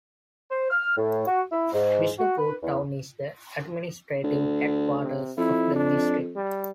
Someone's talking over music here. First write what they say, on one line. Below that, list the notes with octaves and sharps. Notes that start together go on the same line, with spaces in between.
Bishnupur town is the administrative headquarters of the district.
C5
F6
A2
F#4
E4
G#2
F#4
B4
E2
D2
C3
F2 E4
D4
G3